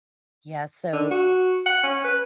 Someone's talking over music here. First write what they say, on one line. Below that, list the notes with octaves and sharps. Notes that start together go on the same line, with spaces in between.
Yeah, so
D3
F#4
F#5
C#4
B4